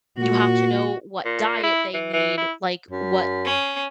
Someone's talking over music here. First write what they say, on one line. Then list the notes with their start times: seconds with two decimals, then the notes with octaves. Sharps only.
you have to know what diet they need, like, what
0.18 A#2 F#4
1.25 A#2
1.63 E4
1.94 E3
2.13 E3
2.38 E4
2.91 F#2
3.45 C#4